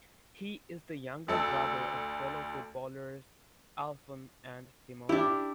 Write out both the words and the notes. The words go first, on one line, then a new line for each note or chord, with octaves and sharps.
He is the younger brother of fellow footballers Alfons and Timothy.
D2 A4 E6
D4 E4 G4